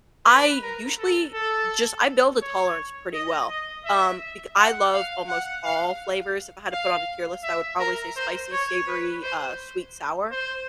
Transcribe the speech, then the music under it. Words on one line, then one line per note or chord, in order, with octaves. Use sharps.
I usually just I build a tolerance pretty well, um, becau I love almost all flavors, if I had to put on a tier list, I would probably say spicy, savory, uh, sweet, sour?
B4
A#4
A4
A4
C#5
D#5
D#5
E5
F#5
F5
F#5
F5
F5
E5
A#4
C5
C#5
B4
C5
C5